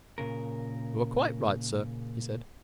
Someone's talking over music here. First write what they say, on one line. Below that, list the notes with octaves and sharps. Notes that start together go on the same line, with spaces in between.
"You are quite right, sir," he said.
A#2 C#3 A#4